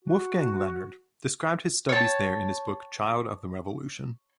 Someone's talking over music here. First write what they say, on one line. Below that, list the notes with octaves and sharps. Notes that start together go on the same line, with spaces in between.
Wolfgang Leonhard described his studies there in his book "Child of the revolution".
F#4
C#5 G5 A5